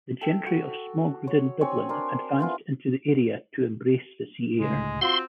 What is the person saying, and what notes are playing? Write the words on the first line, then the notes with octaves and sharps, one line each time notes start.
The gentry of smog-ridden Dublin advanced into the area to embrace the sea air.
A4 G5
F#4
C#5
C4 C#5 G#5
D4 A#4 C6
E3 B3 F4 G#4
C#2 A2 D3 G#3
C4 F4 F#4 C6